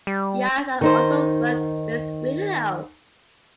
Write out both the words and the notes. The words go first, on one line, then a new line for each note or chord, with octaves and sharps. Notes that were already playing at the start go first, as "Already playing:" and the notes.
Yass has also worked with video.
G3
D#3 D#4 C5